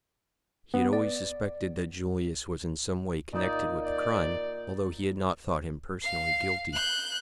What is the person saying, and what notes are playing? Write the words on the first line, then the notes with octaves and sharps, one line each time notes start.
He had always suspected that Julius was in some way connected with the crime, although he had not thought him personally guilty.
B3
D5
A#2 D#4 D5
D5
F5 C7
F#6 G6